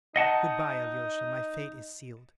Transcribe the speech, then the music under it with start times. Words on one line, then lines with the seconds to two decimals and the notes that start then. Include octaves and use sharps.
Good-by, Alyosha, my fate is sealed.
0.16 D#4 D#5 F#5 A5